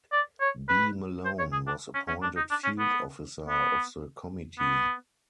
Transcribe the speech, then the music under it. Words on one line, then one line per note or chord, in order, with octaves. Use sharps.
B. Malone, was appointed Field Officer of the committee.
D5
C#5
B4
C5
C#5
G#4
D4
C#4
C#4
D4
D#4
D4
C#4
B3
B3
B3